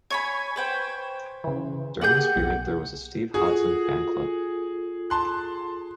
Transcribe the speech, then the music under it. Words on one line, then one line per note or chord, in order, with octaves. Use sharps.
During this period there was a Steve Hodson fan club.
C#5 G#5 B5 C#6 G#6
B4 C5 G5
C#3 E3
A#3 G4 G#4 F#5 G6
B1
F4 F#4 G#4 A4
A5 C6 F#6